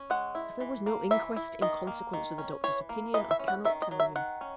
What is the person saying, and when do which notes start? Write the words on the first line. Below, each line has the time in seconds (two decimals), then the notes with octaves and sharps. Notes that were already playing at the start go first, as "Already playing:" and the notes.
'As there was no inquest, in consequence of the doctor's opinion, I cannot tell you.'
Already playing: C#4
0.10 G#3 F#5
0.35 E4
0.60 E3
0.86 A#3
1.11 E3 E5
1.36 E4
1.61 D#3 D#5
1.87 A#3
2.13 D#3
2.38 C#4
2.64 E3 C#5
2.89 A#3
3.14 E3 D#5
3.31 E5
3.39 C#4
3.48 F#5
3.65 D#3 E5
3.82 D#5
3.91 F#3
4.00 E5
4.15 D#3 F#5
4.41 C#4